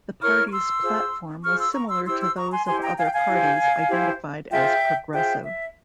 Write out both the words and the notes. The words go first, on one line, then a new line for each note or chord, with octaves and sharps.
The party's platform was similar to those of other parties identified as progressive.
E4 A#4 C#5 C#6 F6
C#6
C6 E6
F4 G#4 C5
F4 G#4 C5 C#6 F6
C6 E6
A#5 C#6
C6 E6
E4 G4 C5 C6 E6
C6 E6
A#5 C#6
G#5 C6
E4 G4 C5 G#5 C6
G5 A#5
F5 G#5
G5
F5 G#5
E4 G4 C5
E4 G4 C5
F4 G#4 C5 E5 G5
F4 G#4 C5 E5 G5
E5